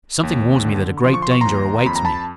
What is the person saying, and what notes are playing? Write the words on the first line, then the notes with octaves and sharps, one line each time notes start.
"Something warns me that a great danger awaits me."
D#2
D3
F3 C6
C#6
C6
C#6
D#2 A#5 C6
F2 B5
A#5
A5 B5